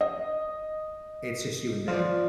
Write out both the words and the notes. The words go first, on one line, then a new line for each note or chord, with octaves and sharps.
it's just you and them,
D#5
F3 F4 D5